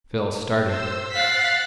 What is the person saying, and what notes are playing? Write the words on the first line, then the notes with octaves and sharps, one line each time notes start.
Phil started.
C5 E6
F5 F#5 F#6 A6 B6